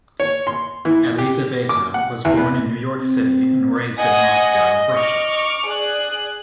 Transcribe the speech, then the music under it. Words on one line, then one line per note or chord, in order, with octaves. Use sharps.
Elizaveta was born in New York City and raised in Moscow, Russia.
C#5
C6
E3
G4
D6
F#5
E2
B3
C4
D#5 F#5 G#5 D#6
C#6 D6 F6
G#4 D5 F#6